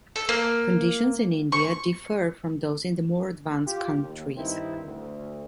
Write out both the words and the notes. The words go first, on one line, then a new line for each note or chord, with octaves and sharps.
Conditions in India differ from those in the more advanced countries.
A4
A#3
C#6
F4 G4
D#2
G2 D#3 C4 D#4 E4
D2